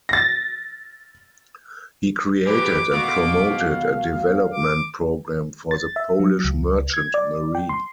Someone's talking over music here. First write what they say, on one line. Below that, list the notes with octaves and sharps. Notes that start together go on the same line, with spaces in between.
He created and promoted a development program for the Polish merchant marine.
A6 A#6
F3 G4 G#4 B4 D6
B3 F#4 F5
D6
A6
E5
F#3
C#2
G#6
D5
G5
C6